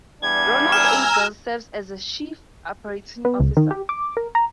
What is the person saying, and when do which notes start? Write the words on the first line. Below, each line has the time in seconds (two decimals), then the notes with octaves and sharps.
Ronald A. Belz serves as Chief Operating Officer.
0.22 E2 G3 D4 G#6
0.72 G#5 A#5 E6 F6 E7
3.25 B3
3.40 C#2
3.57 D#3
3.71 G4
3.89 D6
4.17 A#4
4.35 A#5